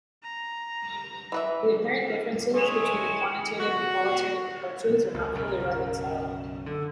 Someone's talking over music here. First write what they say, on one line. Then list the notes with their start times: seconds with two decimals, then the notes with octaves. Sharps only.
The apparent differences between the quantitative and qualitative approaches are not fully reconciled.
0.23 A#5
1.32 E3 B4 E5
2.54 G#3 A4 C#5 D#5 E5 G#5
3.60 F#4
5.15 C#2
5.35 B1 F#2 C#3 A#4
6.66 D3 A4